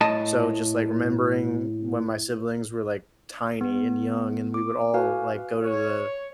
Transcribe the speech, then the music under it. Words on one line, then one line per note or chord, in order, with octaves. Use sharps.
so, just, like, remembering when my siblings were, like, tiny and young, and we would all, like, go to the
A2 D#5 A5
B3
D6
F#4 B4 F5 G#5
C#5